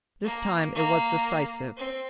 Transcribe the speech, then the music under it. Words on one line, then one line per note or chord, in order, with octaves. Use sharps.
This time, it was decisive.
A#3
A#3
C4